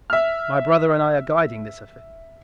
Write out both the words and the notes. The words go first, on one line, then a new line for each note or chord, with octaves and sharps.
My brother and I are guiding this affair.
E5 F6